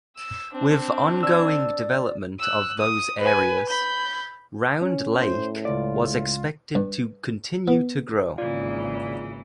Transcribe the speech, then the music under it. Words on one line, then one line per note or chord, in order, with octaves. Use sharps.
With ongoing development of those areas, Round Lake was expected to continue to grow.
E6
C4 D4
D5 E6 G#6
E6 F#6
D#6
B4 G#5
B5 G6
C#4
A2 C5
C#2 F4 D5
G2
B3
G#1 C#3 E3 A#3 F4 D5